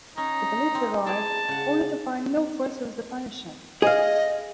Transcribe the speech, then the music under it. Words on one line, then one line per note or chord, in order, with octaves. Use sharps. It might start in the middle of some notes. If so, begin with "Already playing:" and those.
The police arrive, only to find no trace of the Punisher.
C#4 D#4
C4
E4 G#4 D5 A5
C#3 F#5
G#4 D#5 F5